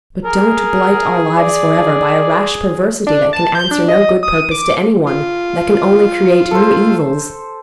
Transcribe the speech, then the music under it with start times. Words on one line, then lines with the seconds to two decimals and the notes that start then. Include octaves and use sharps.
But don't blight our lives forever by a rash perversity that can answer no good purpose to any one, that can only create new evils.
0.25 G#4 A#4
1.37 D5
3.07 D4
3.33 A5
3.55 G6
3.71 D4
3.89 D#5
4.23 D#6
4.51 D6
5.07 F4
6.51 A4 C5